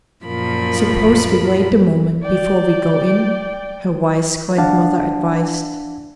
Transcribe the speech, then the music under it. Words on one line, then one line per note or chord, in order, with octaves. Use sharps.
"Suppose we wait a moment, before we go in?" her wise grandmother advised.
F#2 A#2 F3 A#4 B5
D5 G5
D4 D5 F5 F#5 A5